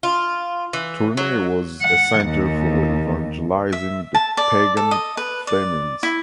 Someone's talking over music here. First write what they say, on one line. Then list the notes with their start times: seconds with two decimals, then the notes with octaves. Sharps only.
Tournai was a center for evangelizing the pagan Flemings.
0.03 F4
0.73 E3
1.17 F#3
1.81 F#5
2.24 D#2
3.73 E5
4.15 A5
4.37 D5
4.77 A4
4.91 D#5
5.17 B4
5.47 D5
6.03 E4